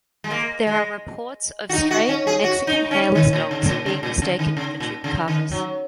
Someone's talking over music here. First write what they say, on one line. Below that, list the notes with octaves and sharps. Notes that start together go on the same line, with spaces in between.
There are reports of stray Mexican Hairless Dogs being mistaken for chupacabras.
G#3
A#3
G#3
F#4
D#4
F#4
C#4
G#4
F#4
D#4
C#4
D#3
A#2
C#3
C#3
A#2
C#3
A#2
C#3
D#3
C#3
A#2
C#3
D#3
F#3